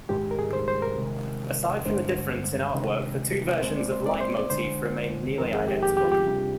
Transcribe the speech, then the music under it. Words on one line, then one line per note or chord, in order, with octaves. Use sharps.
Aside from the difference in artwork, the two versions of "Leitmotif" remain nearly identical.
G#2 D#3 G#3 D4 G4
A#4
G#4
C5
C5
A#4
C3 D#3 G#3
G2 D3 G#3 D4 C5
C3 D#3 G#3 D4
A#2 G#3 C4 C5
D5
C5
D5
C5
D5
D3 G#3 D4 C5
F2 D#3 G#3 C4 A#4
G#4
G4
G4
G4
F4
G4
C3 G3 D4